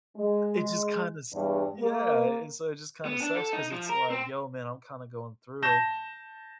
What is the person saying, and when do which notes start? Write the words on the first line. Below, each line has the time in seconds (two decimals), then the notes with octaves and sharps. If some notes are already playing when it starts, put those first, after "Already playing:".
it just kinda s yeah, and so it just kinda sucks 'cause it's like, "Yo, man, I'm kinda going through it,"
0.16 G#3
1.33 E2 G2
1.80 A#3
3.06 B3
3.22 D4
3.36 A4
3.53 D#4
3.72 F3
3.90 A#4
4.10 C4
5.62 A5 G6 A#6 E7